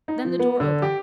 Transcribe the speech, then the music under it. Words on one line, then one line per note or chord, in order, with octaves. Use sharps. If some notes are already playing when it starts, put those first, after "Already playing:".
Then the door opened.
D#4
F3
B3
D3
G4